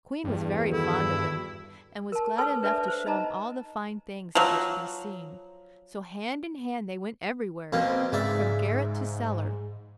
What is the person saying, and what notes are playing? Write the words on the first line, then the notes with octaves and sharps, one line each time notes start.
The queen was very fond of him, and was glad enough to show him all the fine things that were to be seen; so hand in hand they went everywhere, from garret to cellar.
E2 G2
D#3 E4 F#4 A4
A#4 A5
A4 B4 C#5 A5 E6
D4 B4 D5 E5 A5
C5
D#4 D#5 A5 A#5
F3 F#3
B2 A#3 C4 C#4
G#2 C#3 D5 E5